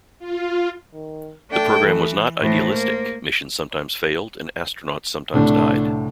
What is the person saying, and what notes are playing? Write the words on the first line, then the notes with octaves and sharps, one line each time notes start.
The program was not idealistic; missions sometimes failed and astronauts sometimes died.
F4
D#3
A3 D4 G5
E3
A2 E3 C5
A#3
C2 A2 D3 A3 D4